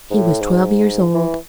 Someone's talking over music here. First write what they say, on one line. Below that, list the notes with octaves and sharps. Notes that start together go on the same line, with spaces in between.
He was twelve years old.
G#2
A2
G#2
E3